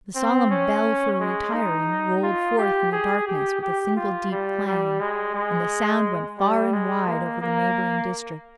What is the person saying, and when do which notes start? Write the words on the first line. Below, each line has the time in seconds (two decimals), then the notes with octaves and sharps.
The solemn bell for retiring rolled forth in the darkness with a single deep clang, and the sound went far and wide over the neighbouring district.
0.16 C4
0.51 C#4
1.21 G#3
1.54 D#4
2.23 F4
2.58 G4
2.92 G#4
3.27 G4
3.62 G4
3.96 F4
4.32 G3
4.66 G3
5.00 G#3
5.35 G#3
6.39 G3
6.73 G#3
7.08 A#3
7.42 A#3